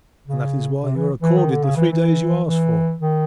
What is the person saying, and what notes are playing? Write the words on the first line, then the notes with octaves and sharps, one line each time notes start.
And that is why you are accorded the three days you ask for.
C#3
C3
E3
E3
D#3
D3
C#3
E3
E3
E3
D#3